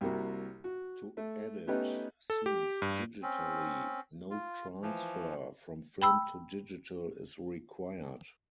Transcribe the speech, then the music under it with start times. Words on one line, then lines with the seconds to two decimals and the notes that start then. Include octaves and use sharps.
To edit scenes digitally, no transfer from film to digital is required.
0.01 C2 C3 A#3 F#4
0.64 F#4
1.17 A3
1.67 A3 B3 C#4 D#4 G4 B4
2.30 A4
2.46 G4
2.82 G2
3.23 C4 C#4
4.30 F4
4.82 E3 F3
6.02 G5 B5 E6